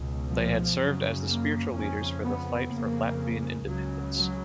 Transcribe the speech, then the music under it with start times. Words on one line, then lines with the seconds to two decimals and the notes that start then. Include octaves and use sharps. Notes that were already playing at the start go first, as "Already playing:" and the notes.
They had served as the spiritual leaders for the fight for Latvian independence.
Already playing: C#2 B2
0.28 F3
0.77 F#2 C#3 F#3
1.25 A#3
1.73 F2 C#3 C#4
2.22 B3
2.69 F2 C#3 A#3
3.66 C#2 C#3 F#3
4.15 F#3